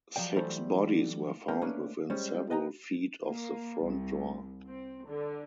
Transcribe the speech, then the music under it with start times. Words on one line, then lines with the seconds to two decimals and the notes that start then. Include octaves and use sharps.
Six bodies were found within several feet of the front door.
0.16 F3 F#3 D5 G5
0.36 E3 F#3 G3 A3 A4 C5
1.48 A3 A#3 C#4 A#4 G5
1.62 A3 A#3 C#4 D4 B4
2.10 G3 G#3 C#4 C5 C#5
2.50 B4 D#5 G5 A5 A#5
3.23 A#3
3.83 C2
4.66 C4
5.07 D3